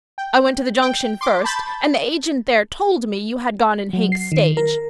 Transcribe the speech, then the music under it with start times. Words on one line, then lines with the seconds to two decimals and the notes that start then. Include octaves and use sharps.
I went to the Junction first, and the agent there told me you had gone in Hank's stage.
0.18 G5
0.82 G5
1.21 C6 D6
1.44 A5 B5 G6 A6
3.93 F#3
4.12 C7
4.32 D#3
4.57 A#4